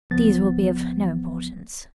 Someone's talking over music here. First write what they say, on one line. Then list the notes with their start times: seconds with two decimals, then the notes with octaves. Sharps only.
These will be of no importance.
0.11 C#2 F3 B3 A6